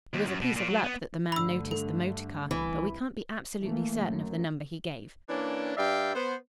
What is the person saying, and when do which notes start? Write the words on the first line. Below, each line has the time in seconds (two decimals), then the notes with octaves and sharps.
It was a piece of luck that the man noticed the motor-car, but we can't be absolutely certain of the number he gave.
0.14 D#2
0.27 F#2
0.42 B2
0.56 A#2
0.68 F#3
0.84 B3
1.32 G2 D3 A3 B5 E6
1.71 A4
2.51 C2 E3
3.61 E3 A3 A#3
4.05 F#2
5.29 E3 A#3 C#4 D4
5.77 G2 G3 D5 E5 F5 G5
6.14 B3 C5